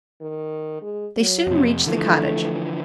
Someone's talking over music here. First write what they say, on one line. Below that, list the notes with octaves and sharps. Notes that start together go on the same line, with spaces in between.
They soon reached the cottage.
D#3
G#3
F#3
F2 C3
D3 E3 F3 A3